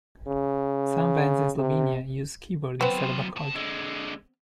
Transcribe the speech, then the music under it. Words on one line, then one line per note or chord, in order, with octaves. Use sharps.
Some bands in Slovenia use keyboard instead of accordion.
C#3
C3
F#3 B3 C4 C5
B2 A5
D3 G#3